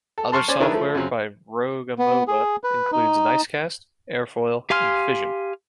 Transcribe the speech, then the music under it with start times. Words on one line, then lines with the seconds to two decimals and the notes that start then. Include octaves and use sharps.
Other software by Rogue Amoeba includes Nicecast, Airfoil, and Fission.
0.18 A4
0.32 A5 C6 C#6 F6
0.48 C#4 C5 D5 G#5
0.60 D#3 D4 E4 G#4 A#4 B4
0.72 F3 A3
0.95 F#2 C#3 F#3 C4
1.99 B3
2.28 G#4
2.64 B4
2.92 D#4
4.70 G4 F5 G#5 C6 F6